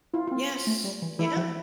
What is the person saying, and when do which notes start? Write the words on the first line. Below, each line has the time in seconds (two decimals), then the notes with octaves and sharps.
Yes, yeah.
0.13 E4 F4
0.28 C4 F4
0.67 A3
0.84 G3
1.02 E3
1.19 E3 E4
1.37 F3